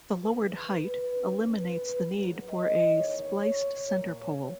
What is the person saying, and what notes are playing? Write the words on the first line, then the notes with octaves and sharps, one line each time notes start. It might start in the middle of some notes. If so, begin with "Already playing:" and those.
The lowered height eliminates the need for a spliced center pole.
D#2 C#3 E3 A#3 B4
B4
D#2 D#3 A#3 C#4
B4
G#2 F#3 A#3 B4
D#5
E2 D#3 A#3 C#5
C#5
A#2 A#3 C#5